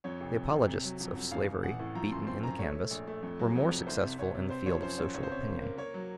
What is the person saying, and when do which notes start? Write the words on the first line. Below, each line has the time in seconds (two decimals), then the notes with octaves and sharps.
The apologists of slavery, beaten in the canvass, were more successful in the field of social opinion.
0.04 F2 C#5
0.20 F1
0.35 F1
0.52 F1
0.68 C3
0.84 F#3
1.00 F2
1.16 F2
1.31 A1 F5
1.48 A1
1.63 A1 F#5
1.79 A2
1.95 F3 A#5
2.12 F#2 C6
2.27 C4 C6
2.43 F#2 A#5
2.59 A3 C#5
2.76 A3
2.91 A#1
3.07 A3
3.22 F2
3.39 F#3
3.55 F2
3.71 C3
3.87 C2 C5
4.03 C3
4.18 C2 C#5
4.35 C3
4.50 C4 C5
4.66 F3 C#5
4.83 F#2 C5
4.98 F#2 C#5
5.14 C#2 C#5
5.23 C5
5.30 C3 C#5
5.46 A#3
5.62 A#3
5.78 A#3 C#5
5.94 F#3